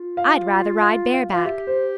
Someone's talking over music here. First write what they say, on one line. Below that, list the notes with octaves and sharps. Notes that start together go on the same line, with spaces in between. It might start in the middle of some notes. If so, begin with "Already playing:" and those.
I'd rather ride bareback.
Already playing: F4
F5
F5
F5
F4 F5
G4 E5
C5